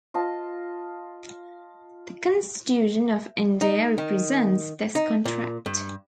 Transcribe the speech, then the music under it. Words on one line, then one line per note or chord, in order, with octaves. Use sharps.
The Constitution of India represents this contract.
F4 D#5 A5
D#4
D#3
D#4
A#2
G2